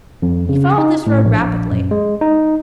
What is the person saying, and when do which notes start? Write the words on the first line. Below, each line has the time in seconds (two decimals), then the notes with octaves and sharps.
He followed this road rapidly.
0.22 F2
0.49 C#3
0.78 D#4
1.07 A2
1.25 A#1
1.71 F#2
1.91 G#3
2.21 D#4